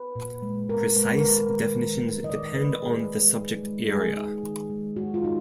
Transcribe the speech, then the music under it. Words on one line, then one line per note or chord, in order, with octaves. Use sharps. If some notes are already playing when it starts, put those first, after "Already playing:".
Precise definitions depend on the subject area.
Already playing: B4
A#2
G#3
B3 A#4
G#3 B4
A#4
D#3 B4
D#3
D#3
G#3
D#5
D#3 D5
D#3 B4
G#3 G#4
G#3
D#4
G#3
G#3 G#4
D#4
D#3
G#3
G#3 F#4
F4
D#3 D#4